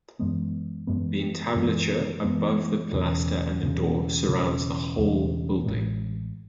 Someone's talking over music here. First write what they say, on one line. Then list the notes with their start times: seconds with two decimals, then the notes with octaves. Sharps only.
The entablature above the pilaster and the door surrounds the whole building.
0.19 F#2 E3 G#3 B3
0.87 F#2 E3 G#3 B3
1.56 F#2 E3 G#3 B3
2.24 F#2 E3 G#3 B3
2.92 E1 E2 C#3
3.61 E1 E2 C#3
4.29 E1 E2 C#3
4.97 E1 E2 C#3
5.66 A1 A2 G#3